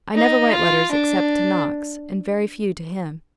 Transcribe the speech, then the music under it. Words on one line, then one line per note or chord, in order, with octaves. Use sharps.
I never write letters except to Knox, and very few to him.
D#4
F4
D4